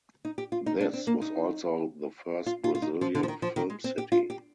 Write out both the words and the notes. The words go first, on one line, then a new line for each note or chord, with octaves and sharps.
This was also the first Brazilian film city.
D#4
G4
F4
D#4
D4
C4
A#3
D#4
F4
F4
F4
D#4
F3
D3
F3
D#3
F3
D#3
G#3
C4
G4
F4
G4